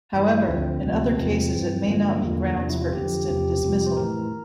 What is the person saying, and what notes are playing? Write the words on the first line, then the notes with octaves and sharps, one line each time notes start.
However, in other cases it may not be grounds for instant dismissal.
G2 E3
D2 D3 F3 C4
D2 C3 F3
E2 C3 F3
G2 E3
G2 D3 F3 A#3
E2 D3 F3
E2 C3 F3 D4
E4
F4
F2 D3 F3 G4
E2 C3 F3
F2 C3 F3
C5
A2 E3 A#4